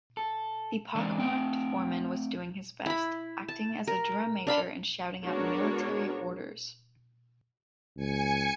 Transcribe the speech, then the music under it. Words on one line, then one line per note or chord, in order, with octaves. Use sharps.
The pockmarked foreman was doing his best, acting as a drum-major and shouting out military orders.
A4
E3 G#3 A#3 C4 D4 A4
A3 C4 G5
E4 B5
A5
A#4
D4 F5 B5 C6
G#3 B3 D4 F#4 A#4 C#5
C#2 G#5 C#7